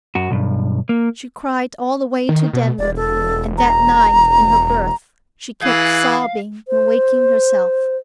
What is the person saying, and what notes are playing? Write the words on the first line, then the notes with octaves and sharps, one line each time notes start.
She cried all the way to Denver, and that night, in her berth, she kept sobbing and waking herself.
F#2 F#4
B1 G2
A#3
D#3
B2
E1 D5
A4
A#5
E3 G#4 F5 F#6
C5